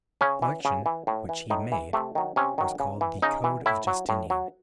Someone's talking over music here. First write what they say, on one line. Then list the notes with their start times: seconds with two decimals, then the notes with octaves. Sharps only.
The collection which he made was called the CODE OF JUSTINIAN.
0.21 C#3 C#4
0.42 E3
0.65 C#3
0.86 E3
1.07 A2
1.29 E3
1.50 A2 D#4
1.72 E3
1.93 C3 A3
2.15 D#3 F#3
2.36 C3 C#4
2.58 D#3 F#3
2.80 C#3
3.01 E3
3.22 C#3 D#4
3.44 E3
3.66 A2 E4
3.87 F#3
4.09 A2
4.30 F#3